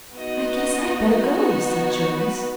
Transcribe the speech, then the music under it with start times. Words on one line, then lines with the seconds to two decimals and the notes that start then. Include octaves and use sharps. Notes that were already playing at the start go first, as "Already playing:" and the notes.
"I guess I'd better go," said Joyce.
0.16 B3 D#4 F#4 D#5
1.86 C#5
2.15 B4